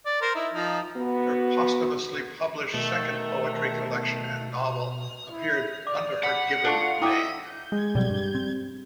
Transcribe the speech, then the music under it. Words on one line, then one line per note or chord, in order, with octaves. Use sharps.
Her posthumously published second poetry collection and novel appeared under her given name.
D5
A#4 C5
D#4 E4
F3 D#4
B3 F#4
B2 D#3 A3
E4
D5 D6
F#5 B5
D4 F4 A4 A5 C#6
E4 D#5 E5 G5 D6
G#3
B2 F#3 G3 C4
G2
C4